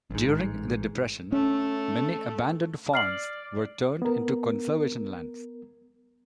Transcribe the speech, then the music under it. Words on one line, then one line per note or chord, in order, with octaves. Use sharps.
During the Depression many abandoned farms were turned into conservation lands.
A1 G#2
A3 C#4
D5 F6 C7 F#7
B3 A#4